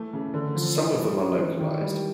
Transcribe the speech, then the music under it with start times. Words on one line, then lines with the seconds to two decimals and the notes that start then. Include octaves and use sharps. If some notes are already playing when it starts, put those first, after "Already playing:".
Some of them are localized.
Already playing: E3 A3
0.13 C#3
0.34 D3
0.55 F3
0.76 D4
0.97 G3
1.18 C#4
1.39 E3
1.59 D#3
1.81 G3